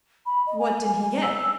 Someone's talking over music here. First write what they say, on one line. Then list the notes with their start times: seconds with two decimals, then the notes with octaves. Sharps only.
"What did he get?"
0.26 B5
0.47 D#5
0.59 G#5
1.02 G#5
1.22 E6
1.38 E6